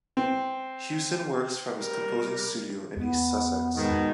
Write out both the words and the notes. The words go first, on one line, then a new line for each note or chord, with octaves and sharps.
Hewson works from his composing studio in East Sussex.
C4
G3 A#4
E2 B3
G#2 B2 D#3